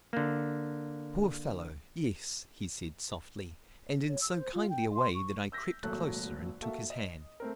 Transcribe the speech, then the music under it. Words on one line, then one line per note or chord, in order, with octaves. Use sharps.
"Poor fellow; yes!" he said softly, and in so kindly a way that I crept closer and took his hand.
D3 A#3
C#5
E6
C5
F4
G5
C6
C#6
E6 G6 A#6 B6
G#1 A#2 F#3 A3 A4 F#6
A#3 F#4 A4 E5
D#5
A3 C4 A#4